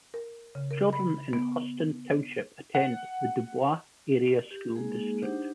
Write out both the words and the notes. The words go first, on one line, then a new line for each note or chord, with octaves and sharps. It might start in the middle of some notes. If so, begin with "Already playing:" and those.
Children in Huston Township attend the Dubois Area School District.
A#4
C#3
A#4
B5
B3
F#5
G4
G#3 A#3 D#4 G#4
D4 D#4 G4 C5 F#5